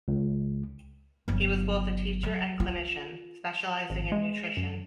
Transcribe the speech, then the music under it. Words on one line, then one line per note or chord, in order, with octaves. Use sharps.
He was both a teacher and clinician, specializing in nutrition.
C#2
G1 F#3
F#3
F4
G#1
G#3
F#2